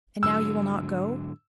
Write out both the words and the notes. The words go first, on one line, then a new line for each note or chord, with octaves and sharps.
"And now you will not go?"
G#2 D3 F#3 E6